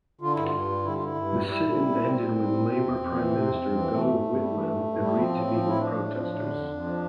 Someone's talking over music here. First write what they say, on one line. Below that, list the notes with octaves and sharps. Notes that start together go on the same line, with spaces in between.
The sit-in ended when Labor Prime Minister Gough Whitlam agreed to meet with protesters.
D3 F4
G2 E4
F4
G2
G3
D3 E4
F4
G2 E4
G2
G3
G3 E4
A#2
G3
A#2
G3 C4
A#2
G3
A#2
C3
F2
F2
E3
C3
F2
F2
E3
E3 A3
G2
G2
G3
E3
G2
G2
G3
F3 C4
A2
F3
A2
E4
F3 D4
A2
F3
A2
D3
F2
F2
F3